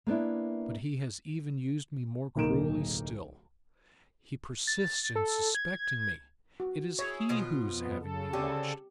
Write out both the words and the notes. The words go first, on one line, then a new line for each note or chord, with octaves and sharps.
But he has even used me more cruelly still; he persists in suspecting me; it is he who is having me watched.
A#3 B3 D4 E4
D1 B1 A#3 D#4 D7 E7
A6
A4
G#6
F#4
E4 G#4 C#5
B2 F3 F4
F2 B3
C#3 A4
D3 C4 C#4 G4